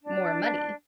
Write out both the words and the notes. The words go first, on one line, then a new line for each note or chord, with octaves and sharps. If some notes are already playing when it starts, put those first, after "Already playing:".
more money.
D4